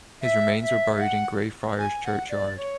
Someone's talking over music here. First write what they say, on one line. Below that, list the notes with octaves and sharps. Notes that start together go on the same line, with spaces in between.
His remains were buried in Greyfriars Churchyard.
E5
E5
E5
F#5
G#5
F#5
D5
C#5